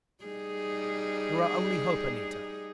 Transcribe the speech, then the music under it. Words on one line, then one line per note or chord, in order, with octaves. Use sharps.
You're our only hope, Anita!
G3 D#4 G#4